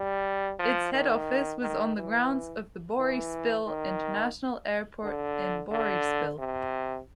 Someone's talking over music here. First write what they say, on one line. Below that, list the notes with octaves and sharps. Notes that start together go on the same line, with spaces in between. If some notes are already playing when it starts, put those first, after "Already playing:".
Its head office was on the grounds of the Boryspil International Airport in Boryspil.
Already playing: G3
F3
D#3
D#3
E3
E3
D#3
D3
D3
C3